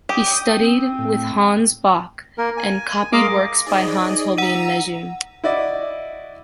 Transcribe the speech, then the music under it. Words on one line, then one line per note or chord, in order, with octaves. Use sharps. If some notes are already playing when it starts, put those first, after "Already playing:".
He studied with Hans Bock and copied works by Hans Holbein le Jeune.
G4 G5 D#6
C4
A2
A#3 A#4
G#5
G#3 A#4 D#5 F5 D6
D#4 G#4 C5 D5 D#5
F#5 A#5 E6 D#7
E4 F#4 D5 D#5